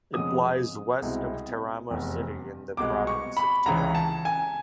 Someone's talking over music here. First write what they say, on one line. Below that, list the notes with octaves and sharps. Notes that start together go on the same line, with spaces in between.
It lies west of Teramo city, in the province of Teramo.
F2 C#3 F3 G#3 B3 D#6
C2 B2 G#3 C4 E4
F1 E2 C3
C2 B2 G#3 B3 D6
C#6
B5
C#2 C#3 E3 A#5
A5
G#5